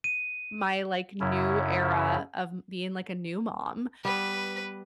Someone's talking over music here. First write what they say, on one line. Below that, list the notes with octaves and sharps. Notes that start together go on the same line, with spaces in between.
my, like, new era of being, like, a new mom,
D#7
F#2 C#3 C#4 E4
G3 B3 B4